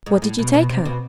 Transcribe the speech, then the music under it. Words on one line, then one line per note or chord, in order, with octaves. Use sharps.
'What did you take her?'
G#2
A2
B2
B2
C3
B2